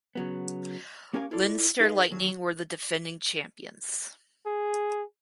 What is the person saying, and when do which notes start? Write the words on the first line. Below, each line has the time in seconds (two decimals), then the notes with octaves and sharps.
Leinster Lightning were the defending champions.
0.15 C#3 F#3 B3
1.13 A#3 C#4 G4 A#4 F5 G#5
1.31 E4 F4 A4 D5
1.80 D#4 G#4 B4 D#5 F5
2.11 D#2 F#3
4.46 G#4